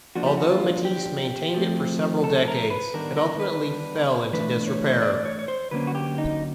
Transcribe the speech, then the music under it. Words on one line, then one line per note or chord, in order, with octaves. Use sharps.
Although Matisse maintained it for several decades, it ultimately fell into disrepair.
F3 A#3 D4 F#4
G4
F#4
F4
G4
F3 A3 C4
A4
A#4
B4
D#3 G3 B3 D4 A#4
A#4
B4
E3 A3 D4 B4
C#5
D5
C#5
C#5
C5
D3 F#3 A#3 C#4 B4
F#4
G4
D#4